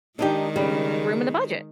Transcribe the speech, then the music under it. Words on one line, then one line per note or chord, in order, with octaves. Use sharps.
room in the budget.
D#3 G#3 D4 D#4 G4
C#3 G3